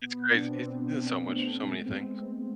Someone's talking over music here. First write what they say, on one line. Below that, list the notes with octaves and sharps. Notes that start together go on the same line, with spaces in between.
It's crazy, he's he's in so much so many things.
B2 B3
D4
B2 C4
B2
A3
G#3 C4
B3
C4
G#3 C4